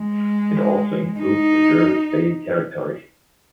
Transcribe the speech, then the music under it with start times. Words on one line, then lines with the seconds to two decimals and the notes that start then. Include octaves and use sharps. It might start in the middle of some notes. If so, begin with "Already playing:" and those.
It also includes the Jervis Bay Territory.
Already playing: G#3
1.20 D#4